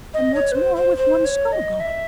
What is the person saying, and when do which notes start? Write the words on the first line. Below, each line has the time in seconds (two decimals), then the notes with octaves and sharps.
And what's more,--with one scull gone.
0.14 D#5
0.34 C#5
0.52 B4
0.55 C5
0.76 C5
0.97 C5
1.25 C#5
1.52 D#5
1.80 E5